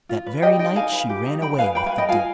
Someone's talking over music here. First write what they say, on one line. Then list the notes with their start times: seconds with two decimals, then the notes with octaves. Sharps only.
That very night she ran away with the duke.
0.09 F4
0.26 B4
0.42 G4 D#5 G5
0.59 D#4 D#5 G5
0.76 D#4 F5 G#5
0.92 B4
1.09 G4
1.26 D#4
1.42 D#4 G5 B5
1.59 B4 F5 G#5
1.75 B4 G5 B5
1.86 F5 G#5
1.92 B4
1.98 D#5 G5
2.09 F4 F5 G#5